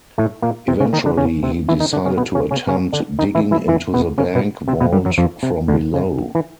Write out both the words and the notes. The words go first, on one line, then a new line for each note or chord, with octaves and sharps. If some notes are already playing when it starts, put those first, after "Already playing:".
Eventually he decided to attempt digging into the bank vault from below.
A2 A3
A#2 A#3
C3 C4
C#3 C#4
D#3 D#4
D3 D4
C#3 C#4
C3 C4
E3 E4
D#3 D#4
D3 D4
C#3 C#4
B2 B3
C#3 C#4
C#3 C#4
C#3 C#4
D3 D4
D#3 D#4
E3 E4
E3 E4
E3 E4
B2 B3
C#3 C#4
B2 B3
C3 C4
B2 B3
G2 G3
F#2 F#3
F2 F3
C3
D2 D3
C#3
E3